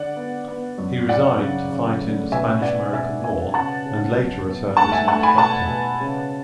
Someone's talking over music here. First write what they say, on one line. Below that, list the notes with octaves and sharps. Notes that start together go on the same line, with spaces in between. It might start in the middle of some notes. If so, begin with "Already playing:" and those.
He resigned to fight in the Spanish-American War and later returned as an instructor.
Already playing: D3 D5 F#5
B3
B3
F#2
F#3 D5 F#5
C#3
C#3
A3
B2 E5 G#5
B2 D5 F#5
B2 E5 G#5
B2 E5 G#5
C#3 F#5 A5
C#3
F#3
B3
A3 F#5 A5
E5 G#5
A3 F#5 A5
G#5 B5
B2 F#5 A5
B2
C#3